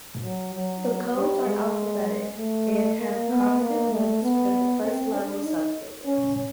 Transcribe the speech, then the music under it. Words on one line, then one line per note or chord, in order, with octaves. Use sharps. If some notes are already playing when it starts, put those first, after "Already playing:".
The codes are alphabetic and have constant length for the first level subdivisions.
F#3
F#3
G3
G#3
A3
A#3
B3
A#3
A3
B3
C4
D4
D#4
C#4